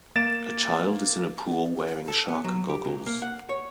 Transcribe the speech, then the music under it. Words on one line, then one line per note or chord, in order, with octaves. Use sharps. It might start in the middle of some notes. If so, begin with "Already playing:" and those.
A child is in a pool wearing shark goggles.
A#3 A6 D7 E7
A4
B3
F#3
G4
C2
A#3
F#5
C#5